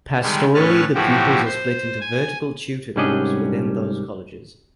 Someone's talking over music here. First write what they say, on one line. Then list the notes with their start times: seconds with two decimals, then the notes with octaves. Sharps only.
Pastorally the pupils are split into vertical tutor groups within those colleges.
0.22 D3 D#3 G3 G#3
0.54 A2 C#4 B4 A5 F6
0.94 A2 E3 F3 F#4 G4
1.45 C5
2.00 G#5
2.96 C2 G#2 G3 C#4 D4 D#5